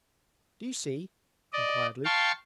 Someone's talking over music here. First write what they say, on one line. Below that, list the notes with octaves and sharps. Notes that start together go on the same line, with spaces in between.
Do you see?' inquired Luke.
D5 D#5
F5 G5 A5 C6 C#6